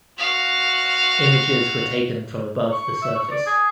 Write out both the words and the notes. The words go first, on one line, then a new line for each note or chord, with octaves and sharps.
Images were taken from above the surface.
F#4 F5
C#6
E5
C#6
D5
G#4